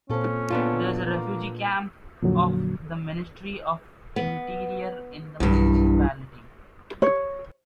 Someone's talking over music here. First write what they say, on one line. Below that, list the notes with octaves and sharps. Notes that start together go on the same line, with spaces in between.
There is a refugee camp of the Ministry of Interior in the municipality.
A#2 C4 C#4 F4 A4 C5
A#2 B3 D4 F4 A4
A#3
F2 A#2 D3 F#3
B3
B1 E2 G2
C#5